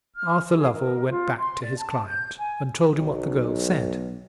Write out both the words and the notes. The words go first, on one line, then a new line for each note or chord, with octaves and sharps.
Arthur Lovell went back to his client, and told him what the girl said.
F6
G#4
A#4
F4
C6
D5
A5
G6
G#5
B1